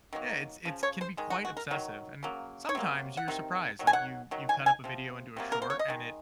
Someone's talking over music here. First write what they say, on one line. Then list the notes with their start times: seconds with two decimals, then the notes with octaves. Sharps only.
yeah, it's it's can be quite obsessive, and sometimes you're surprised, like, you you cut up a video into a short, and it
0.13 D#3 F#3 A#3
0.65 C#3 F3
0.83 C#5
1.01 C5
1.17 D#3 G#3
1.30 F#4
1.45 F#4
1.57 A#4
1.71 D#3 F#3
2.23 C#3 F#3 A#3
2.69 C#5
2.75 C3 F#3 A#3
3.17 F#5
3.28 C3 D#3
3.79 D#3 F#3
3.87 G#5
3.93 F#5
4.31 D#3 F#3
4.49 G#5
4.66 G#5
4.84 C3 F3
5.37 C3 F#3 A#3
5.52 A#4
5.62 C5
5.70 C#5
5.79 D#5
5.88 D#3 G#3